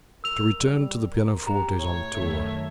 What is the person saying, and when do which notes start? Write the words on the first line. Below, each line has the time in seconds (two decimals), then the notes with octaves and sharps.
But to return to the pianofortes on tour.
0.24 A#4 E6 F7
0.59 G3
1.12 A#4
1.47 G4 A#5
1.79 A2 C#5
2.15 F#2 D#3 A3 E5